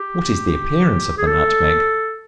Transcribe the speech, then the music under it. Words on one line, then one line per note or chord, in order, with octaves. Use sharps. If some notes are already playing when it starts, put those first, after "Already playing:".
What is the appearance of the Nutmeg?
Already playing: G4
G#4
A4